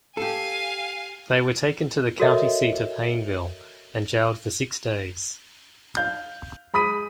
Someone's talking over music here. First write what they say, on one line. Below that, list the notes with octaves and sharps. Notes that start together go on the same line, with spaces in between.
They were taken to the county seat of Hayneville and jailed for six days.
G4 A4 F5 G#5
F#4 A4 A#4 C#5 D#5 E5
F5 G6
G#3 B5 D#6 B6 D#7